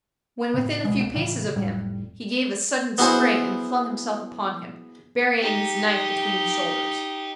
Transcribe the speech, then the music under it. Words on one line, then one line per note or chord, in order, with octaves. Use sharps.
When within a few paces of him he gave a sudden spring and flung himself upon him, burying his knife between his shoulders.
A2 C#3
D1 B2 G#3
C#2
A2 C#3 E3
F1 A2 G3
B3 E4 F#4 G#4 C5
D#4 G4